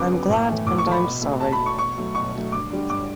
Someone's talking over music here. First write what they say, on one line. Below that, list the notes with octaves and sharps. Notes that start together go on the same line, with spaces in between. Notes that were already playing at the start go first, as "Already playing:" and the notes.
I’m glad and I’m sorry.
Already playing: C#3 F#3 B3 D6
F#3 B3
A2
E3 A3
A2 D6
C#6
E3 A3
B5
B2
A3
B2 A5
B5
A3
C#6
B2 C#6
F#3 A3
B2 C#6
F#3 A3
G2 D6
D3 G3
G2 D6